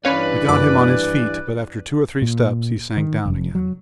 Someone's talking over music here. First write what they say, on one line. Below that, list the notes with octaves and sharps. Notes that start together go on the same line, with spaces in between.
We got him on his feet, but after two or three steps he sank down again.
G2 E3 C#4 B4 C#5 D5 F5 B5
F#2 A3 D6
A#2
D#3
F1
F#3